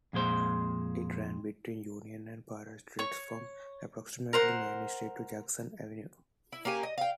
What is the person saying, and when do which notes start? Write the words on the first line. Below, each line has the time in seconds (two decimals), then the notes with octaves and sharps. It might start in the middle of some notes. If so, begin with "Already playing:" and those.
It ran between Union and Prior Streets from approximately Main Street to Jackson Avenue.
0.13 F2 A#2 G#3 C5
2.99 C#5 C#6
4.33 A#4 C5 F#5
6.52 E4
6.65 A#3 C#4 G4 G#5
6.83 D#5
6.98 F5 G5